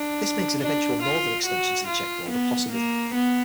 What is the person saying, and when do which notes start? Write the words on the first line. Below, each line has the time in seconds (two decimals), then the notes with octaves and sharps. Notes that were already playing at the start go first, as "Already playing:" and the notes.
This makes an eventual northern extension to the Czech border possible.
Already playing: D4
0.60 D4
1.02 F4
1.45 F#4
1.87 F4
2.29 B3
2.72 A#3
3.14 B3